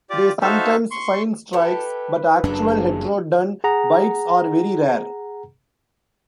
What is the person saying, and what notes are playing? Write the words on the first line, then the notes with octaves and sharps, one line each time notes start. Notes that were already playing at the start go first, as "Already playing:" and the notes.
They sometimes feign strikes, but actual "Heterodon" bites are very rare.
F4 G4 D5 D6
D#4 F#4 A4 C5 E5 F5
C6 C#6
E4 G4 A4 B4
F#1 F#2 A#3 D4 G#4 A4
G#4 F#5 A#5